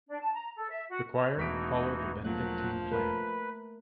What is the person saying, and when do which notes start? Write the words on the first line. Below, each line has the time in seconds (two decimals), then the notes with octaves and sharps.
The choir followed the Benedictine plan.
0.07 D4
0.20 A5
0.33 A#5
0.56 A4
0.71 E5
0.89 F#4
1.37 E1 E3 A3 D#4 F#4 B6 D7
2.24 F3 F#3 A3 A#3 F#6
2.92 A3 A#4 B4